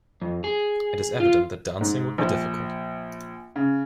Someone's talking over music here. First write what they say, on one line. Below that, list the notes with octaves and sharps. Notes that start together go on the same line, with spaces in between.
It is evident that dancing would be difficult.
F2
G#4
F4
G#2
A#1
C#3